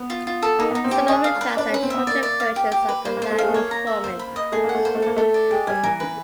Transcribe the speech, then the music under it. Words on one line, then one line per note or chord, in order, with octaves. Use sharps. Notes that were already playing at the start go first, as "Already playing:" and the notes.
Some of the tracks are shortened versions of the live performances.
Already playing: B3
F4
F4
A4
A#3 D#4
B3 D#4
C4
C#4 G4
D4 G#4
F5
B4
D4 B4
C#4 B4
C4
B3 E5
A#3 D5
D5
F5
G4
G4
B4
A#3 C5
A#3
C5
A3
G#3 F5
A3
A#3 C#5
A#5
E5
C5
B5
D#5
A3 G#4
A#3
F#5
A3
A#3 C5
A3
A#3 A4
A3 A4
D5
G#3 G4
G3 G#5
E3 A#4
B4